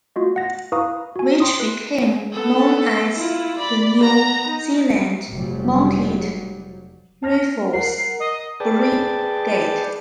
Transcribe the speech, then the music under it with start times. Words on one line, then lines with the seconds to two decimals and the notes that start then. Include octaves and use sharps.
Which became known as the New Zealand Mounted Rifles Brigade.
0.16 A3 F4 F#4 D#5
0.36 F#5 A#6
0.72 E4 B4 F5 A#5 C#6 D#6
1.16 F#4 G#5
1.40 G5 C6 D6 D#6
1.60 B4
2.32 B3 A4
3.16 E4 F4
3.58 D5 B5
4.00 B3 A#5
4.47 D#4
5.29 F1 F#3 G3
7.23 A5 F6 A#6
7.73 A#4 F#5 C7
8.20 D#5
8.60 G#4 B4 D5 G5 A5